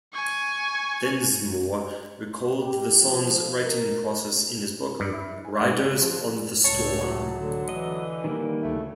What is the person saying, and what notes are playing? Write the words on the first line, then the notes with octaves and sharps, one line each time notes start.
Densmore recalled the song's writing process in his book "Riders on the Storm".
G#5 C#6
G4
F3
A#4
G2
E4
G#5
G#2
C#3
F3
C#2 A2 C#5 A5
C3 F#3
D3
D3 E3 D#5
D#3 G3 A#3
D2 C#3 A3